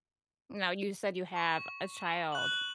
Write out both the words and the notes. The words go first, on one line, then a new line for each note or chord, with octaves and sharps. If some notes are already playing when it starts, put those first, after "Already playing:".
Now, you said you have a child.
C#6
F#6 F#7